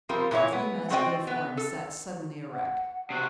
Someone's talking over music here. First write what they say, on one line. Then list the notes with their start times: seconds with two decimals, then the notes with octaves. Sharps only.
Three masculine forms sat suddenly erect.
0.09 F3 G3 C4 F4 A#4
0.31 A#2 E3 E4 C#5
0.52 B3
0.90 C4 F#4 C5 D5 D#5 G5
1.27 B3 B4
1.57 A4
2.52 F#5
3.10 C3 F#4